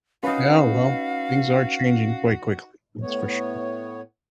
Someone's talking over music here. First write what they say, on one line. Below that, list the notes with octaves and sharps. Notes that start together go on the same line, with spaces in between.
Yeah, well, things are changing quite quickly, that's for sure.
C#4 D#4 F#4 B4 F5
A2 B3 C#5